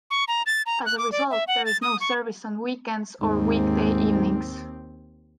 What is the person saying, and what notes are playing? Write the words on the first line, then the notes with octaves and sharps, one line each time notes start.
As a result, there is no service on weekends or weekday evenings.
C#6
A#5
A6
A#5
F#6
D6
D5
E5
F#5
A6
D#6
C#6
D#2 G#2 C4